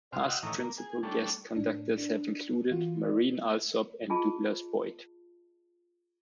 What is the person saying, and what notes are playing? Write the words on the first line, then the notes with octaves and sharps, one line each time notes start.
Past principal guest conductors have included Marin Alsop and Douglas Boyd.
C3 C6 F6
F#4 D#5 F#5 G5 E6 F6
A2 D#3 E3 C#5 A#5 D#6
A#3
G#4
G3 A3 D4 A4 C#5
A2 D4
D4
E3 F4 F#4
D5
F4 G#4 D#5 A5